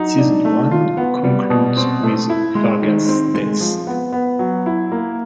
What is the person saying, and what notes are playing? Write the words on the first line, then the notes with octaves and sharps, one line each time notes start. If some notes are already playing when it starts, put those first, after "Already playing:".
Season one concludes with Vargas' death.
Already playing: F#3 D#4
D4
A3
F4
B3
G3
B2
C4
A3
E4
G#3
D#3
C4
G#3
F3
B3
B3
F#3
E4
A#3